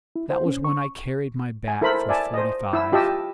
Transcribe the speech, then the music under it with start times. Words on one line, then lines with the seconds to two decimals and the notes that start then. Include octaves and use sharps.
That was when I carried my bat for forty-five.
0.16 E4
0.30 C5
0.46 C#4
0.64 C#6
1.68 G#5
1.81 E4 A4 A#4 C5 B5
2.09 D5 E5 G#5 A5
2.34 C5 D#5
2.73 E4 E6
2.92 F4 G4 D#5 A5 E6